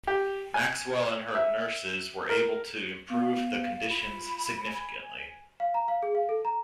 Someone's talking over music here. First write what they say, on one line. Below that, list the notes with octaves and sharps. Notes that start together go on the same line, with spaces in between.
Maxwell and her nurses were able to improve the conditions significantly.
G4
G#5
E5
A#4
B3 F5
F4 B5
G#5
F5
A#5
F5
G#4
F5
A4
A#5